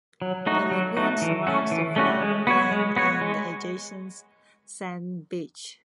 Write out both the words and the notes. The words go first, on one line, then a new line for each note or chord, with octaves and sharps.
The lagoon surrounds the floor plain and the adjacent sand beach.
F#3
A3 D#4 F#4
F#3
A3 D#4 F#4
E3
A3 C#4 F#4
E3
A3 C#4 F#4
G#3
B3 F#4 C#5
G#3
B3 F#4 C#5
G#3